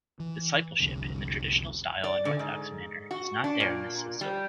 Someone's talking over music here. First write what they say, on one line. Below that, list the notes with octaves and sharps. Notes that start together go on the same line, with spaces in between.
Discipleship of the traditional style and orthodox manner is not there in this silsila.
E3
F1 C2 F2 D3
D5
D3
G#2
F#4
D4
A#2
G3